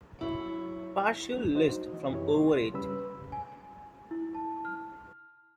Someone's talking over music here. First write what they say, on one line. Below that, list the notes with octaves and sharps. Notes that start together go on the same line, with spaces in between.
Partial list from over eighty.
F#3 E4 C#5
F#3 A3 D4
D#4 F#4 C5 D#5
E3
F#2 C3 E3 E4 G4 C#5
C6
C#3 G3 C#4 B4 B5 E6
G#5
E4
A5
F6